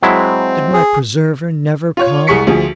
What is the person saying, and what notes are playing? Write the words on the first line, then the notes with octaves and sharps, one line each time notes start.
Did my preserver never come?'
F#3 G#3 C4 E4
G#4
F4 C#5
C2 G#4 C#6 B6 C#7
D2 F3 G#4